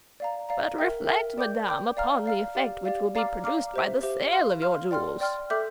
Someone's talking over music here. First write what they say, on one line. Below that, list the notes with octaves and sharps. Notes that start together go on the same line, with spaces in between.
"But reflect, madame, upon the effect which will be produced by the sale of your jewels."
D5 F5 A#5
D5 F5 A#5
A#4 E5 G5
A#4 E5 G5
D5 G5 D6 G6
D5 G5 D6 G6
D5 F5 A#5 F6
D5 F5 A#5 F6
G4 D5 F5
G4 D5 F5
D5 F5 A#5 D6 F6
D5 F5 A#5 D6 F6
G4 C5 E5
G4 C5 E5
F5 C6 F6
F5 C6 F6
D5 G5 C6 F6
D5 G5 C6 F6
A4 E5 G5 D6 G6